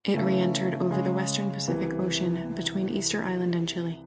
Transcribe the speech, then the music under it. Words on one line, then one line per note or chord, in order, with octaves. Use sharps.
It reentered over the western Pacific Ocean between Easter Island and Chile.
C#3 E3 A3 C#4
C#3 G#3 C#4 G#4
C2 C3 E3